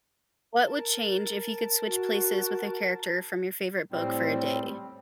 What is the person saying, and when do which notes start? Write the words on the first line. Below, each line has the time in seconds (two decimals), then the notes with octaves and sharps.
what would change if you could switch places with a character from your favorite book for a day?
0.66 A#4 A5
1.86 F#4
3.92 A2 G3 C4